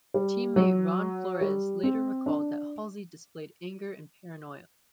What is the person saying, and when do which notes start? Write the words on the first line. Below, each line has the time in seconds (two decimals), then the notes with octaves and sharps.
Teammate Ron Flores later recalled that Halsey displayed anger and paranoia.
0.14 G3
0.56 F#3
1.41 G3
1.83 C4
2.26 D4